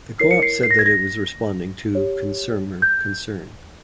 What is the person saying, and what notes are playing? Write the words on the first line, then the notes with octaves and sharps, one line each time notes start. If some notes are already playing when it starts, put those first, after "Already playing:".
The Co-op said that it was responding to consumer concern.
E4 A#4 C#5 C7
C#7
C7
C7
A#6
G#6
A#6
G4 C#5
G6